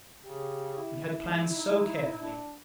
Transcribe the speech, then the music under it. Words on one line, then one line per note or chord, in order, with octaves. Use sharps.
We had planned so carefully!
C#3 G4
E4
G#2
D#4
D4